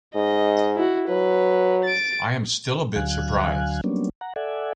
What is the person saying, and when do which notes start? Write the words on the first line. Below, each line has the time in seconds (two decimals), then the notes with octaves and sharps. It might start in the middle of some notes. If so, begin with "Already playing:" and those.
I am still a bit surprised.
0.15 G#2 D#5
0.76 E4 F#4
1.10 F#3 B4
1.84 A6 D7
2.96 D2 D3 F#3 F5 G#5 F#6
3.84 F#3 G3 A#3 B3 C#4 D4
4.21 F#5 A#5
4.36 A4 D5 E5 F#5 G#5